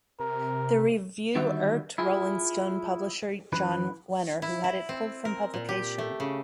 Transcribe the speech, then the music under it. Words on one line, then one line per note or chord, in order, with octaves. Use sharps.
The review irked "Rolling Stone" publisher Jann Wenner who had it pulled from publication.
C3 A#4
D3 D#3 G3 B3 F#4 E5
E4 F4 G#4
F#2 E3 B4
E4
E4
C4
A#4
A#2
G4
A3
C#3